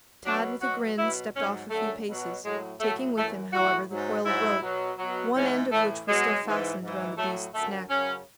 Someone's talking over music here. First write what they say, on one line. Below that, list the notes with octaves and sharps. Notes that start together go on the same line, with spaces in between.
Tad, with a grin, stepped off a few paces, taking with him, however, the coil of rope, one end of which was still fastened around the beast's neck.
B2 F#3 D4
B2 F#3 F#4
B2 F#3 E4
G#2 F#3 C#4
F#2 D3 F#3 A3
B2 F#3
A2 F#3 G#3
A2 F#3 A3
F#2 E3 A3
A2 E3 F#4
G#2 F#3
G#2 F#3 E4
B2 F#3
B2 F#3
G#2 E3 C#4
A2 E3 A3
B2 F#3 G#3
G#2 E3
G#2 E3
A2 F#3 A3
F#2 D3 F#3 A3
F#2 C#3 F#3 C#4